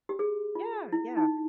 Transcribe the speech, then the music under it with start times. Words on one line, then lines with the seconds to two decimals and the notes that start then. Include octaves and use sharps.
Yeah, yeah,
0.09 G4
0.19 G#4
0.55 F4
0.92 E4
1.17 D#4